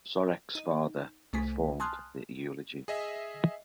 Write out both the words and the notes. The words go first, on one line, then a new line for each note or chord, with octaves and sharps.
Sorek’s father performed the eulogy.
D#4
C2 A3 G#5 B6
G#5 A5 C6 D#6 F6 F#6
G#4 D#5 E5